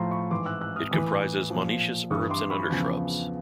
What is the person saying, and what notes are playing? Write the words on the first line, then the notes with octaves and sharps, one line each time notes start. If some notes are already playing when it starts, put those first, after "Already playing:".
It comprises monoecious herbs or undershrubs.
Already playing: A2 F3 A#5 C6
B5 C#6
G#2 E3 C6 D6
E6 F#6
E6 F#6
D#6 F6
A2 E3 D6 E6
A#2 F3
G2 E3 C#6 D#6
C6 D6
B5 C#6
E2 C#3 F3